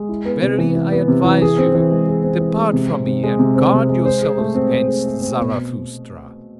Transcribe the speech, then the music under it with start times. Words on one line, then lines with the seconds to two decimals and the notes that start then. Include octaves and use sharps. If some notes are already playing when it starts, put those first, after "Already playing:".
Verily, I advise you: depart from me, and guard yourselves against Zarathustra!
Already playing: G#3
0.09 E4
0.25 B3
0.42 C3
0.58 E3
0.75 E4
0.92 B3
1.08 C3
1.25 E3
1.42 G#4
1.58 C4
1.75 E3
1.91 G#3
2.08 G#4
2.23 C4
2.40 E3
2.57 G#3
2.73 C3
2.89 C4
3.07 C3
3.23 G#3
3.39 C3
3.56 C4
3.73 C3
3.89 G#3
4.05 C5
4.22 G#4
4.38 A3
4.55 C4
4.71 C5
4.87 G#4
5.05 A3
5.21 C4
5.38 B2